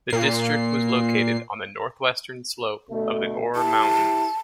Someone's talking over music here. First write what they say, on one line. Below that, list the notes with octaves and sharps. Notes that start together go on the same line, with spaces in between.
The district was located on the northwestern slope of the Ore Mountains.
A#2 C7
D2 B2 A3
E4 G4 A5